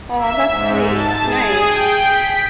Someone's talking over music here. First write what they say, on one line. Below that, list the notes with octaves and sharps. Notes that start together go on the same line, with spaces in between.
Aw, that's sweet, nice.
E5
G#2
A5
G#4
G5
B6